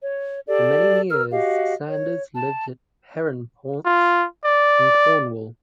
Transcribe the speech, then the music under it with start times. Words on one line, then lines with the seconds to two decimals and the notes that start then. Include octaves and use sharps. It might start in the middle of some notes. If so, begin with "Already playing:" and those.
For many years Sanders lived at Perranporth in Cornwall.
0.02 C#5
0.47 G4 A4 D5
1.08 A#4 E6 F6
1.31 F#4 G4 D#5 F5
1.87 C#5
2.35 A5
3.86 F4
4.45 D5